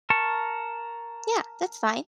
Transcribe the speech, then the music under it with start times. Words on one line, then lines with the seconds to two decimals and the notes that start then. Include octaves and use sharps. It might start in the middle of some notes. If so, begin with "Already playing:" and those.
Yeah, that's fine.
0.10 A#4 A5 C#6